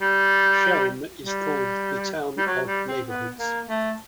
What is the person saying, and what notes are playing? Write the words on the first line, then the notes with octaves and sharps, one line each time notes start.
Schwelm is called the "town of neighbourhoods".
G3
G3
G3
F#3
G3
C4
B3
A#3
A3